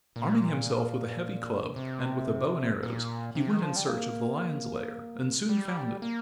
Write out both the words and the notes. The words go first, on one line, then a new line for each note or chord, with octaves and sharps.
Arming himself with a heavy club and with a bow and arrows, he went in search of the lion's lair and soon found it.
A#2
C3
A#2
C3
D#3
F3
G3
A#3
G3
A#3